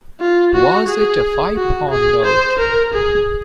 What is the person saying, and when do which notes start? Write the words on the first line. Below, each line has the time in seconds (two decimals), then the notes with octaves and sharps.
Was it a five-pound note?
0.20 F4
0.54 F#4
0.88 G#4
1.56 F#4
1.91 G#4
2.25 C5
2.59 A#4
2.94 G#4